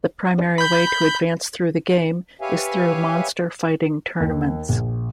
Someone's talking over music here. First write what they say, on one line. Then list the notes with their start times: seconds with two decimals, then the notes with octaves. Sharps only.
The primary way to advance through the game is through monster fighting tournaments.
0.58 B5 G6
2.41 G4 B4 C#5 E5 F5 G#5
4.20 D#2
4.69 A#1